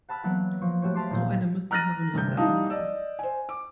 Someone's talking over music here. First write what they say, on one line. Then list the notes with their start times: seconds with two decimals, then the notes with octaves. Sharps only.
So eine müsste ich noch in Reserve haben.
0.09 F#5 A5 B5 E6 F6
0.23 E3 F#3 A#3 B3 F#5
0.62 F3 C#6
0.82 A3 F#4 G4 C#5
0.94 E5 F5 A5 C6 D6
1.10 D#1 A#2 G6
1.71 A#5 F6 F#6 A6 A#6 D#7
2.14 G2 C3 G6
2.37 G3 D#4 E4 F5 A5 D#6
2.70 D5 D#5 E6
3.19 C5 G#5
3.49 D6